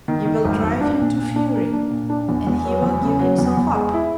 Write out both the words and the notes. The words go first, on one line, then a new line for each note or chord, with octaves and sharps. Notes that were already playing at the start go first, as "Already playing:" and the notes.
You will drive him to fury, and he will give himself up.
D#3
D#3
G#1
G#1
D4
A#2
A#2
D4
A#3
D4
A#2
D4
E2
E2
F#3
E2
C#3
F#3
E2
E2
G#3
E4